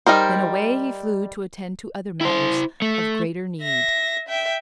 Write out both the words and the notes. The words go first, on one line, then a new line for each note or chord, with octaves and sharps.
Then away he flew to attend to other matters of greater need.
G3 D#4 A#4 C5
E4 C5
A3
E5 A#6
E5 G5